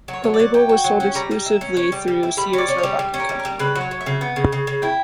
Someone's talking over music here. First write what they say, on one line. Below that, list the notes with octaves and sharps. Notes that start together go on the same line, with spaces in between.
The label was sold exclusively through Sears, Roebuck and Company.
F#3
C#5
F#3
D5
F#3
F#3 G5
F#4
F#3
C#4
G3 A#5
G3
E4
C#4
C#4
G3
G3
E4
G3 B5
C#4 D5
C#4
G3 C#5
G3
C#4
A#4
G3
A#4
G3
C#3 B4
F#3
C#5
F#3
E5
C#3
B3
C#3
C#3
C#3
E4 G5